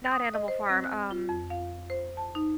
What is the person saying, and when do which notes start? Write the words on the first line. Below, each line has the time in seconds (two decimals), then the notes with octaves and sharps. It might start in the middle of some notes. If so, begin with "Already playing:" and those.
not Animal Farm, um
0.11 D#6
0.34 D#5
0.48 C5
0.69 C4
0.84 F#6
1.11 F4
1.29 F2
1.50 F5
1.90 C5
2.17 A5
2.35 D#4